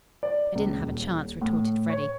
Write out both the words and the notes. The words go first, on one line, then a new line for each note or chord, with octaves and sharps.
"I didn't have a chance," retorted Freddy.
D5
C#2
D#1
A2
C#5